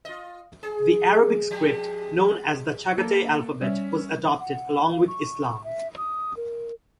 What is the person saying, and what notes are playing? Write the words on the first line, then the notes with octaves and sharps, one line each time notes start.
The Arabic script, known as the Chagatay alphabet, was adopted along with Islam.
F4 D#5
G#4
F3 G#3 G4
A#3 A4
G3 C#4 E5
F#5
F5
C#6
E5
D#6
A#4